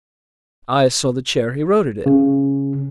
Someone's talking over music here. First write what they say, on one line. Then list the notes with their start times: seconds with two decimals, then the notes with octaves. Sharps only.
I saw the chair he wrote it in.
2.06 C#3